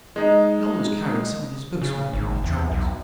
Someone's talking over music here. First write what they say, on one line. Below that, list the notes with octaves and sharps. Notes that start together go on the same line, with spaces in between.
He always carried some of his books with him when he traveled.
G#3 D#4
C#3
G#1
E2
B1